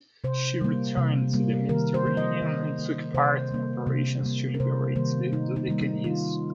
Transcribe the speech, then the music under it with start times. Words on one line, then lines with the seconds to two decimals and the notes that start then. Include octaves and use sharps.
She returned to the Mediterranean and took part in operations to liberate the Dodecanese.
0.24 C3 C5
0.61 G3 A#3
0.98 C3
1.33 G3 A#3
1.69 D#3 A#4
1.94 C5
2.06 A#3
2.17 D#5
2.42 D#3
2.79 A#3
3.14 C3 C5
3.51 G3 A#3
3.86 C3
4.23 G3 A#3
4.54 A#4
4.60 C3 C5
4.96 D#3 G3 A#3 C5
5.32 C3 D#4
5.56 D#4
5.68 D#3 G3 A#3
5.81 D#4
6.04 D#3 F4